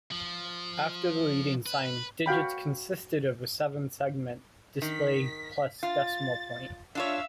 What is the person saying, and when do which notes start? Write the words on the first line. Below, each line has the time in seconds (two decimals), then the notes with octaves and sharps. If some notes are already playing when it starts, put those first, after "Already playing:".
After the leading sign, digits consisted of a seven-segment display plus decimal point.
0.11 F3
1.66 B4
2.26 F#4 F5 G5 B5
4.82 D#3 B6
5.83 F4 A6
6.95 D4 F4 C#5 E5 F5 E6